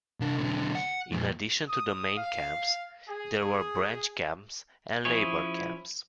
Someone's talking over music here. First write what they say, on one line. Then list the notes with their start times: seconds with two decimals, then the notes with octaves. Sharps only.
In addition to the main camps there were branch camps and labour camps.
0.20 C3 D4
0.38 B1 D3
0.75 F#5
1.12 F2 A#2
1.69 D#6
2.17 F5
3.09 G#4
5.05 F3 C#4 E4 G#4 C#5